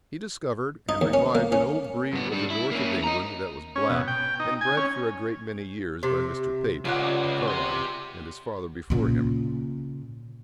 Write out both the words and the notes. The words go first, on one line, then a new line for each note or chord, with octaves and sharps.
He discovered and revived an old breed of the North of England that was black, and bred for a great many years by Mr. Pape, of Carlisle, and his father before him.
D#4
D#2
C#4
A#3
C#4
G2 B3
G3 D4
E4
A#3 C#4
D#5 A#5
C#4
B2
G5
D#4
G#5
C#4
C3
C#3 F4 D5 F#5
G4 C6
A#2 C#3